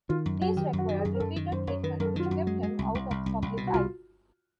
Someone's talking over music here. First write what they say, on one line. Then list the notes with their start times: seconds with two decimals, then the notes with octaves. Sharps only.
These required repeated treatment which kept him out of the public eye.
0.09 D#3 F4
0.26 F#2
0.41 F#3 F#4
0.57 D#3 G4
0.73 F#2
0.78 F#4
0.89 D#3
0.94 G4
0.99 G#4
1.05 F#2
1.15 A#4
1.20 F#2 A4
1.36 D#3
1.52 F#2 C5
1.67 F#2 C#5
1.83 D#3 B4
2.00 F#2 A#4
2.05 A4
2.16 D#3 F4
2.26 F#4
2.31 F#2
2.47 G#3
2.63 G#3
2.79 C2
2.95 C2
3.11 C2
3.26 C2
3.42 C2
3.57 B2
3.67 F#4
3.74 C2 F4